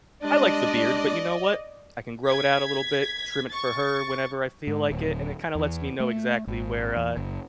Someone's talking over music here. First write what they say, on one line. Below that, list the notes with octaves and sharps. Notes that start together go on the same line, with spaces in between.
I like the beard, but you know what? I can grow it out a little bit, trim it for her whenever I feel like it, and it kinda lets me know exactly where, uh,
G3 G#3 D4 D5 D#5
G#6 B6
C#6 A6
G#2
D1
E2
A3
G#1
E2
F#1